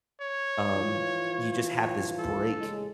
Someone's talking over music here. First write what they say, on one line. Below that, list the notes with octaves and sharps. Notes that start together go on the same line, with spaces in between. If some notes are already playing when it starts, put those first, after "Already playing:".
um, you just have this break
C#5
E3 F3 F4
C#5
A4
A1 C#3 G#3